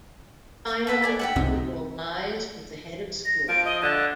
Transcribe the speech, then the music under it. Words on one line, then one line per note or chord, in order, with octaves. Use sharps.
Final approval lies with the Head of School.
A4 B4 E5
A4 D5 G#5
G4 E5 F#5
C2 C3 C4 D#4
A#6
F3 D7
D#5
D3 F#6